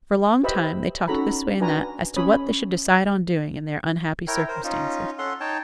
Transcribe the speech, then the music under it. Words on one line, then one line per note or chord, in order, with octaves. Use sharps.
For a long time they talked this way and that as to what they should decide on doing in their unhappy circumstances.
G4 B4 C5 D#5 E5 B5
C#4 D#4 F#4 A4 A#5 B5
D4 F#4 B4 G#5 A#5
C#4 C#5 B5 D#6
E4 A#4 C#5 G5
A#4 C5
C#4 D#4 F4
C#4 A4 F#5 C6
D#4 C#5 G5 A5